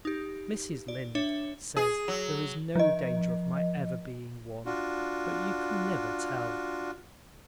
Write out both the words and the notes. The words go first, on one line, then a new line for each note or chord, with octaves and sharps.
Mrs. Lynde says there is no danger of my ever being one, but you can never tell.
D#4 G4
D5
D4 C#5 E5
G#4
F#3
F3 D#5
D4 F4 F#4